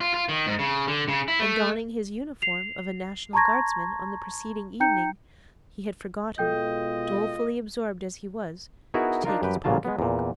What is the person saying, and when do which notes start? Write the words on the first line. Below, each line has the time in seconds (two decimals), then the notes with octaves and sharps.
When donning his uniform of a National Guardsman on the preceding evening, he had forgotten, dolefully absorbed as he was, to take his pocket-book.
0.01 F4
0.14 F4
0.29 D#3
0.47 G#2
0.59 C#3
0.88 D3
1.08 C#3
1.28 E4
1.40 A3
2.42 C7 F7
3.33 A5 A#5 C6 C#6 G#6 A#6
4.80 D#4 G5 A#5 G6 C#7
6.38 B2 G#3 F4 A4 D#5 G5 G6
8.94 B3 D#4 E4 F#4 G#4 A#4
9.25 D4 D#4 F4 A#4
9.42 F#2 G4 B4 G5
9.64 A1 A#2 C#3 F#3 F4 A5
9.85 G#3 B3
9.98 E2 A#2